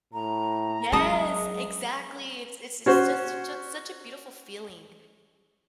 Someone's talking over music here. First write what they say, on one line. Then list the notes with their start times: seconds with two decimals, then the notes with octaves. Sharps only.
Yes! Exactly, it's it's it's just such a such a beautiful feeling.
0.14 A2 A#5
0.92 F#3 G#3 C#4 A#4 A5 D#6
2.86 C#4 F#4 C5